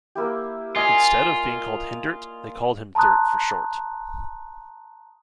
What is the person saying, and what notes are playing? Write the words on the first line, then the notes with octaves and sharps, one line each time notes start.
Instead of being called Hindert, they called him Dirt for short.
A#3 E4 G4
F4 D5 D#5 G#5
A5 A#5 C6 D#6 F#6